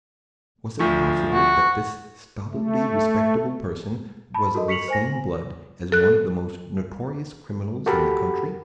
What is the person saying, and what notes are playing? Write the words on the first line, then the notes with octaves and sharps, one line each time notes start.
Was it possible that this stolidly respectable person was of the same blood as one of the most notorious criminals in the country?
D2 F3 C#6
F#4
A3
A5 B5
F#4 A4 A#4 D#5
C#6 B6 C#7 F7 F#7
C5 G#5 A#6
A4 F#6
F#4 G4 A4 A#4 F#5 B5